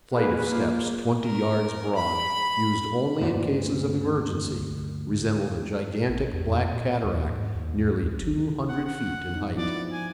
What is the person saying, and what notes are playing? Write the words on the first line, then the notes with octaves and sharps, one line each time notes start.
The flight of steps, twenty yards broad, used only in cases of emergency, resembled a gigantic black cataract nearly two hundred feet in height.
A#3 F#4 G#4 B4
A#3 F4
A#4
B5
D2 G2 A#2
A1
E2
F2
A#2
D#2
G#2
D#2
E2
D2
G1
D#3
F#5
F#5
D#4
F3 B3 E4 D5
G#5